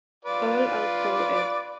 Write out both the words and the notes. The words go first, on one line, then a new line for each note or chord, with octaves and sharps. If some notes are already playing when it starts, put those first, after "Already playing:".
All are co-ed.
F4 B4 D5